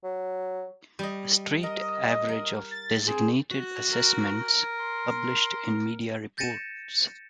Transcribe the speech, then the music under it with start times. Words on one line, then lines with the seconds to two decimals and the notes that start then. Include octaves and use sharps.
A straight average of designated assessments published in media reports.
0.04 F#3
0.99 G3 D#5
1.63 A#4 D#5
2.28 A#4
2.71 A6
3.07 C4 G#4
3.51 F#4
3.93 A#4
4.79 C6
6.38 G6 A6 A#6 C#7 D#7 E7